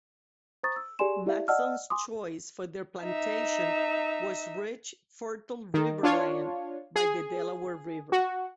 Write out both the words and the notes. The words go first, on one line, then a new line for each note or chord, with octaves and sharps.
Mattson's choice for their plantation was rich, fertile river land by the Delaware River.
C5 A#5 C#6 D#6 A6
E6
G4 G#4 D5 G#5 C6 E7
E4 G4 D5 E5 F5
D5 D#5 F#5 A5 E6 F6
G#5 C6 D6 D#6
D#4 E5
D#3
D4 F4 C#5
G#4
F#4